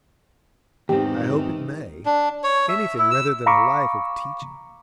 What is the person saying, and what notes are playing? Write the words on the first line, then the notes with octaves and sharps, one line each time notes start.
I hope it may; anything rather than a life of teaching.
E2 G#2 D#3 E3 C4 D#4 G4
D4
C#5
E5
E4
E6
F5 A#5 B5 C#6 D6